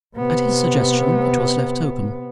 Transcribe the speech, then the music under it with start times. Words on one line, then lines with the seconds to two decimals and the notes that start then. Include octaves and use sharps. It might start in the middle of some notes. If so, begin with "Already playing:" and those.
At his suggestion it was left open.
0.17 C3 B3